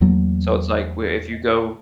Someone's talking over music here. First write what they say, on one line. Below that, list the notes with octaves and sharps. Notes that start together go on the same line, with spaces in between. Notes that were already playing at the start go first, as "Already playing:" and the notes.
So, it's like, we if you go
E2 F#3 A3 A#3